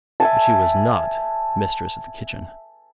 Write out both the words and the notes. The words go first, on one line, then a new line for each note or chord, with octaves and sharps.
But she was not mistress of the kitchen.
E5 G#5 A5